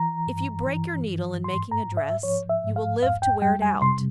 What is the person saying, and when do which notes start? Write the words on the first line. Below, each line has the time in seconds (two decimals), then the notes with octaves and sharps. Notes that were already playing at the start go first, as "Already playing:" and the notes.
If you break your needle in making a dress, you will live to wear it out.
Already playing: E3 A#5
0.27 G2
0.67 E3
1.06 G2
1.44 G#2 C6
1.72 A#5
1.85 G#2
1.97 E5
2.23 F3 C#5
2.50 E5
2.64 G#2
2.76 F5
3.02 F2 F5
3.22 G5
3.42 G3 G5
3.62 G#5
3.82 C3 C6